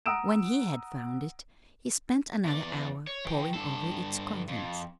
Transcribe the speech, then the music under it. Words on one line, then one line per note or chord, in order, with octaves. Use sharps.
When he had found it he spent another hour poring over its contents.
F#5 A#5 D#6 E6 D7 E7
E2 D5
C#5
E3 G5
G2 A4
F2